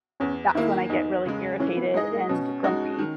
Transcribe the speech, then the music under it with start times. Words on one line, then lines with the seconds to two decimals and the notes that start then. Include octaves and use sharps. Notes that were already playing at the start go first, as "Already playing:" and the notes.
that's when I get really irritated and grumpy.
0.20 E2 C#4
0.55 D#3 A#3 E4
0.89 E2 D#4
1.25 C#3 G#3
1.60 E3 C#4
1.77 B3
1.94 G#3 D#4 G#4 D#5
2.12 A#3
2.29 B2 C#4
2.64 G#3 D#4 F#4
2.99 D#3